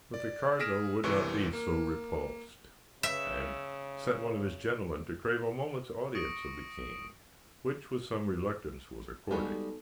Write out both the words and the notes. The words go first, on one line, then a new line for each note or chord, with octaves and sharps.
But the cardinal would not be so repulsed, and sent one of his gentlemen to crave a moment's audience of the king, which with some reluctance was accorded.
D5
G#4 F6 A#6 B6 D7 E7
G1 F#2 C3 E3 C#6
A#3
C#3 E5
C#6 D#6 A#6 C#7 D7
G3 G#3 B3 D#4 F#4 A4